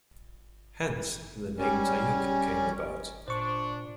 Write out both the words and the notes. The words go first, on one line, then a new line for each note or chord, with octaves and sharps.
Hence, the name Tayug came about.
G3 C#4
A#2 D4 C5 C#6